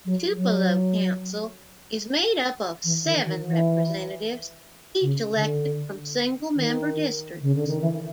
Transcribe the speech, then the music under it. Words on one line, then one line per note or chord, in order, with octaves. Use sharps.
The Tupelo Council is made up of seven representatives, each elected from single-member districts.
F#3
F#3
E3
D#3
D#3
E3
C#3
D3
D#3
C#3
D3
D#3
E3